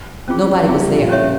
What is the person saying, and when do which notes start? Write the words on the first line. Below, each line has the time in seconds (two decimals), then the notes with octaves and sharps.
Nobody was there.
0.28 C4 C#4 F4 G#4
0.68 C4 F4 G#4 E5
0.79 G3
0.88 F3
0.99 A#2
1.09 C#4 G4 C#5 E5